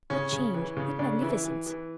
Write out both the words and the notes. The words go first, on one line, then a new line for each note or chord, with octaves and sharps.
What change--what magnificence!
C#3 C#4
C#3
E3
C#3
C#3 D4
E3 E4
E3
E3